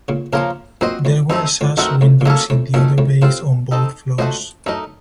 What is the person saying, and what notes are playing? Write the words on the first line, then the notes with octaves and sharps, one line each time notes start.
There were sash windows in the other bays on both floors.
A#2 C#3
A#2 C#3 F3 A#3 F4 A#4 C#5
F#2 A#2 C4 F#4 C5 D#5
F2 A2
F#2 A3 C4 D#4
F2 A2
F#2 D#3 A3 C4 F#4 A#4
F2 A2
A#2
F2 A2 F#3 A#3 C#4 A4
F2 A2
F#2 A#2 D#3 A3 C#4
F2 A2
A2 C3 C4 F4 C5
C4 D#4 A4 D#5
F2 A2 A3 C4 F#4 C5 D#5
F#2 A3 D#4 A#4 D#5